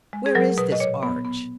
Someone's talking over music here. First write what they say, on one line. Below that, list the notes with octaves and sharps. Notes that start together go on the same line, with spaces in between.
"Where is this Arch?"
G#3
G#4
F#3 A#4
B2 B4
D#5
A#2 C#5
B3
B3